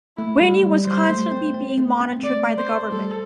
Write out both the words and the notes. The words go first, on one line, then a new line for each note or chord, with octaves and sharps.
Winnie was constantly being monitored by the government.
A3 E4
G3
G3
G3 C5
A3
C4
C4
A3
C4
A3 D5
C5
G3 A4